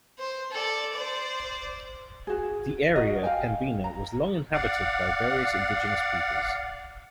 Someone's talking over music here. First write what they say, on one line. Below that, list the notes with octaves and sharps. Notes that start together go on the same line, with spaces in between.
The area of Pembina was long inhabited by various indigenous peoples.
C5
A4 D5
C5 D5
F#4 G#4
F#4 A#4 D#5 F#5
A#4 F5 G5 G#5
A#5
D5 F5 F#5